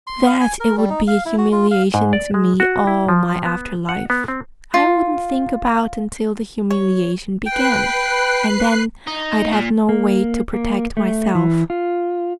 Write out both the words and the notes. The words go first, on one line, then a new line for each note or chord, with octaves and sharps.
That it would be a humiliation to me all my after life, I wouldn't think about until the humiliation began, and then I'd have no way to protect myself.
C6
F5
G#5
A#4
G3
D#4
F5
E4
F#4
F4
F5
G#2
D5
G#3
F#4
E4
F3
B3
F#5
B3
C4
F4
C#5
B4 G5 F#6 C7
D#4
A#2
A#3
A#3
A3
E3
F4